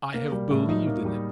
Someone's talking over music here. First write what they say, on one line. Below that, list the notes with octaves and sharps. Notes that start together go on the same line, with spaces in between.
I have believed in it.
A#3
G3
A2
D#4
A#3
G3